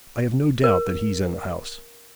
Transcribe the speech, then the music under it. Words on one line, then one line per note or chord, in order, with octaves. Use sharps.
'I have no doubt that he's in the house.'
A#4